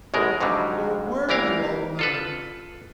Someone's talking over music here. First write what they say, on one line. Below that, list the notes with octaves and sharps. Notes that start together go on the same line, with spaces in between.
"Where were you all night?"
A1 F#2 B2 G#3 A#4
F2 G#2 D3 F#3 G3
C2 E3 G4 A#4 F5
F4 A4 B4